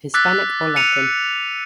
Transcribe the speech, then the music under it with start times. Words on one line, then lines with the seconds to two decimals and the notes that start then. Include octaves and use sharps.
Hispanic or Latin.
0.14 D6 E6 F#6 A6 B6
0.76 C#7 D#7 F7